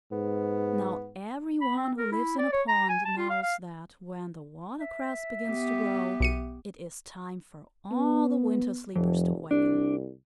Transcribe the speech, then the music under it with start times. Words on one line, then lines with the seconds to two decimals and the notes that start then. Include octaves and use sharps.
Now every one who lives in a pond knows that when the watercress begins to grow, it is time for all the winter sleepers to awaken.
0.12 G#2 B3
1.61 B5
1.76 C4
1.98 A#4
2.12 E4
2.38 D5
2.52 C#5
2.68 A#5
2.89 G#5
3.05 A5
3.17 F4
3.30 F5
3.43 F5
4.80 E5
5.48 B3 G4
6.20 B1 C#7 D#7
7.91 B3
8.96 F1 F2
9.51 C2 D4